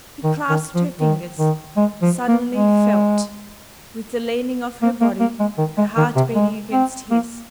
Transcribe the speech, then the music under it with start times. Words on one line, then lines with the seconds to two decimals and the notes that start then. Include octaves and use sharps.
He clasped her fingers--suddenly felt, with the leaning of her body, her heart beating against his.
0.24 D#3
0.49 D#3
0.75 F3
1.00 D#3
1.39 D#3
1.77 G#3
2.02 F3
2.28 A#3
2.53 G#3
4.82 A#3
5.01 A#3
5.20 A#3
5.40 G#3
5.58 D#3
5.78 G#3
5.97 D#3
6.16 C3
6.35 G#3
6.73 C4
7.11 A#3